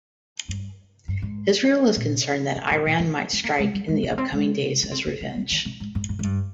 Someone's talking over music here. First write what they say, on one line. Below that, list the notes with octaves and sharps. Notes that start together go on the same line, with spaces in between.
Israel is concerned that Iran might strike in the upcoming days as revenge.
G2
G2
G#2
A#2
C3
A#2
A#2
C3
C4
A#3
G#3
G3
G#3
D4
A#3
C4
G#3
D4
C4
A#3
G#3
G3
D#3
C3
G#2
G#2
G#2
G#2
G2